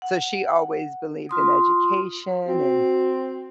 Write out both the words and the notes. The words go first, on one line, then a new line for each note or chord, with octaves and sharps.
So she always believed in education and
F#5
F4 C6 D#6
C4 F#4